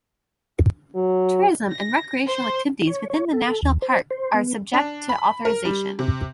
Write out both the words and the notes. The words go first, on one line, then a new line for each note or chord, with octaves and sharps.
Tourism and recreational activities within the national park are subject to authorization.
F#3
A#6
C5
C#5
C#5
A4
D#2
C5
C5
B3
D4
B5
A#4
G3
C3